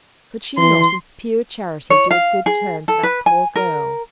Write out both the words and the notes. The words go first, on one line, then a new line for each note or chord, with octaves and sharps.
Could she not in pure charity do a good turn to that poor girl?
E3 C6
C#5
F5
G#4
A4
B4
G#5
A#4